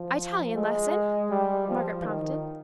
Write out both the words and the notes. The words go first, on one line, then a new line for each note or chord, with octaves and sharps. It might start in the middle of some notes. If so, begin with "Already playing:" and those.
"Italian lesson," Margaret prompted.
Already playing: F3
G#3
G3
F3
D#3